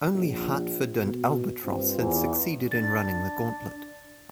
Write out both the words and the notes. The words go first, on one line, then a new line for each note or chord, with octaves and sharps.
Only "Hartford" and "Albatross" had succeeded in running the gauntlet.
A#1
B2
G2 C4 F4
E2
D4 A6